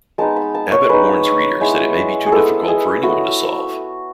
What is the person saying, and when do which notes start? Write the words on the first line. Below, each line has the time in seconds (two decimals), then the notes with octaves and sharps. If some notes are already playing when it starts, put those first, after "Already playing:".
Abbott warns readers that it may be too difficult for anyone to solve.
0.18 G#3 B3 D#4 A5
0.36 B5
0.55 A5
0.72 C#5
0.89 G#3 B3 D#4 B4
1.61 G#3 B3 E4
2.26 G#4
2.32 G#3 B3 E4 A4
2.68 G#4
3.03 A3 E4 F#4